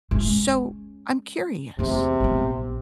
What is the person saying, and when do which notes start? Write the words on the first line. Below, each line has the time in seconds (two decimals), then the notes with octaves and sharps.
So, I'm curious,
0.11 G#3 C#4
1.79 E2 C3 E3
2.20 A#1 B3